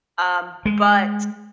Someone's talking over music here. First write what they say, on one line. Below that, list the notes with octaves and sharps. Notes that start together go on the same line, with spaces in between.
Um, but
G#3